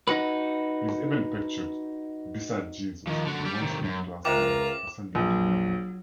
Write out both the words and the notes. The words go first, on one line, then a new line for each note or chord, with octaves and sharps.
He is even pictured beside Jesus in one stained-glass panel ascending to heaven.
D#4 F#4 B4
D#3 F3
D3 F#4
G3 D5
C3 D#3
F#2
C#2 F4 A#4 C5 E5 G5 D6
A#1 F#3